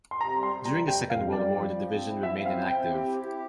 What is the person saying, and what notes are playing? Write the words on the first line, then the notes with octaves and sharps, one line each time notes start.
During the Second World War the division remained inactive.
C6
C3 A#5
G3
C6
G3
A#5
C3
F2 G5
F2
F5
G3
D5
G3
F3
F3
C4
E4
F3 E5
C4
F5
E4
G5
C4
G4
E4
G4